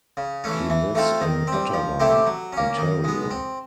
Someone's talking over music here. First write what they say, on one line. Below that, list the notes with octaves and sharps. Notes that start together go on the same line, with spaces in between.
He lives in Ottawa, Ontario.
C#3
E3 A3 C#4
E3
A3 C4 F4 A4
D#3
G3 C4
F3
A3 C4 E4 G4
F#3
A#3 C#4
D#3
G#3 B3
C4